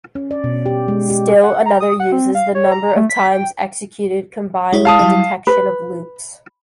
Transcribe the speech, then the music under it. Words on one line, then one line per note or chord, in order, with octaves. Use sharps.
Still another uses the number of times executed combined with the detection of loops.
C#4
D5
B2
G4
G#3
G4
F#5
A#5
D#6
F#5
C4
F5
C#5
A#5
A3
B6
G5
G#3 E4 C#5
F5 A5 D#6
F#3 G3 E4
B4